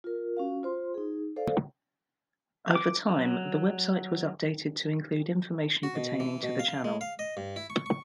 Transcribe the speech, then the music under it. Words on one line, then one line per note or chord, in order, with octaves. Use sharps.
Over time, the website was updated to include information pertaining to the channel.
F4 A#4
C#4 F#4 F5
F4 C5 C6
D#4 G#4
A4 C5 D5 F5
D6
F#3
F#4
B2
E3
B2
F5
G#3
F5
D#5
G2
E4
C#6
C#6